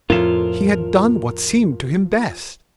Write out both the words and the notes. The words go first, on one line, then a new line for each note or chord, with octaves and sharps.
He had done what seemed to him best.
F2 A2 F3 F4 A#4 E7